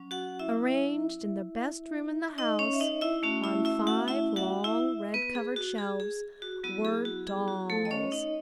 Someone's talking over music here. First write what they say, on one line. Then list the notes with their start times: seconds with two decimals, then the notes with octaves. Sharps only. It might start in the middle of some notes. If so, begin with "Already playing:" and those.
Arranged in the best room in the house, on five long red-covered shelves, were dolls.
Already playing: F#3 C#4
0.11 F#4 F#5
0.39 E4 E5
2.38 D#4 D#5
2.59 C#4 C#5
2.73 E5
2.80 D#4 D#5
3.01 E4 E5
3.23 A3 C#4 F#4
3.44 E4 E5
3.65 E4 E5
3.87 F#4 F#5
4.08 E4 E5
4.36 F#4 F#5
4.64 E4 E5
5.14 B3 B4
5.35 G#4
5.56 F#4
5.78 G#4
6.00 G#4
6.42 F#4
6.63 F#3 B3 E4 F#4
6.85 G#4
7.05 F#4
7.27 G#4
7.48 F#4
7.70 A3 A4
7.85 D#5
7.91 C#4 C#5
8.12 D#4 D#5